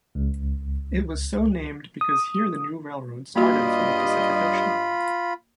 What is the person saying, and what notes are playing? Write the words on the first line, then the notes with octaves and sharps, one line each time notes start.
It was so named because here the new railroad started for the Pacific Ocean.
C#2
D#6
G2 G3 A#3 F4 F#4 D#5 B5